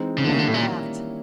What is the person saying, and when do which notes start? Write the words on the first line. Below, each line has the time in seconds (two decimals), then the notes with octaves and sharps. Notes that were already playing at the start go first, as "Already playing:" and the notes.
He laughed.
Already playing: E3 G#3 C4 D#4
0.18 C#3
0.24 D3 D#3 G3 A#3 C#4 E4
0.33 C#3
0.39 D3
0.48 A2
0.54 A#2